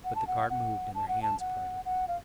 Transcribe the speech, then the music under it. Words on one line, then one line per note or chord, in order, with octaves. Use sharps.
But the cart moved and their hands parted.
F#5
A5
F#5
F#5
A5
F#5
A5
F#5
F#5
F5